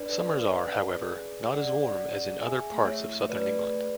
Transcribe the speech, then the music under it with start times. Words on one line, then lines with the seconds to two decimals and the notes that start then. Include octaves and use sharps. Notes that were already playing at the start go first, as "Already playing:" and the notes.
Summers are, however, not as warm as in other parts of southern England.
Already playing: D4 B4 D5
0.09 A4
0.37 D4
0.67 C#4
0.96 G#4
1.26 G#4
1.54 C#4 D5 F#5
1.84 C#4
2.13 G#4
2.42 G#4 E5 G#5
2.72 A3
2.86 C#5 E5
3.01 E4
3.29 A3 B4 D5
3.58 G#4